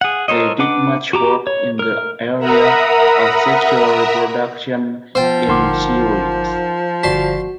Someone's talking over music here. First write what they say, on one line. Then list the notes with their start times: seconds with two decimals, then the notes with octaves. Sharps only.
They did much work in the area of sexual reproduction in seaweeds.
0.01 G#4 F#5
0.28 A4 A#4 C5 C#5 D#5
0.59 D4 B4 F#5 D6
1.13 F#4 G4 A#5 D6
1.47 C#5
1.79 A#4 F6
2.39 A#4 E5 F#5 A#5 B5 D#6
5.15 F3 B3 C5 G5 A6
5.48 G1 D#4 A#4 F#5 C6 D6
7.03 G1 F#4 D5 A5 C6 B6